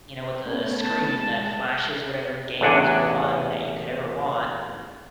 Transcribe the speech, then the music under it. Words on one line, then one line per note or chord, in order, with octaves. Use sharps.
you know, with a a screen that flashes whatever games or fun that you could ever want
A3 B3 C#4
A5
G#3
A1 E2 D4 F#5 G#5